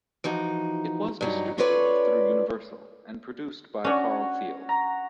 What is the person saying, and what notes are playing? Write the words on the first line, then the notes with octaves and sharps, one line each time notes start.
It was distributed through Universal and produced by Carl Thiel.
E3 F3 D#4 F#4
G2 F#3 D#4
C#4 F4 A4 B4 C#5 D5
C#4 D4 F#4 C#5 F#5
A#5